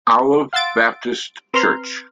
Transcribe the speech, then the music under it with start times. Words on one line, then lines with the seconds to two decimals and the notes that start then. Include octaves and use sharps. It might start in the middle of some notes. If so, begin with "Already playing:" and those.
Olive Baptist church.
0.53 F5 F#5 C6 E6 A6 D7
1.54 C4 B4 A#5 C6 F6